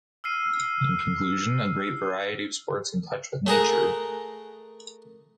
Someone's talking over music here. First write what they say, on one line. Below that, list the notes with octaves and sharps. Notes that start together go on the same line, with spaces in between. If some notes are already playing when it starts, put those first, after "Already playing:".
In conclusion, a great variety of sports in touch with nature.
E6 F6 C7 D#7
A3 G#4 A#4 F#5